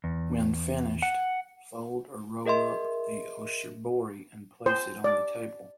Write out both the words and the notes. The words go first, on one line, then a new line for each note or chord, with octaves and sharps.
When finished, fold or roll up the oshibori and place it on the table.
E2
F#5
G#4 A#4 D#5 E5 C6
C5
D5